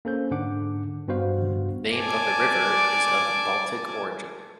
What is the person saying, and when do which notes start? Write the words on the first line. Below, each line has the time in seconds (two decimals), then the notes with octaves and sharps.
The name of the river is of Baltic origin.
0.05 A#3 C#4 A4 C5 G6
0.30 G#2 D3 D4 F#5 D6
1.08 G2 B3 F#4 C5 F5
1.97 D5 G#5 A5 D6